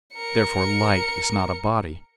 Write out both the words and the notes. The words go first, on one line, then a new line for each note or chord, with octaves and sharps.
Therefore light is not a body.
A#4 C#7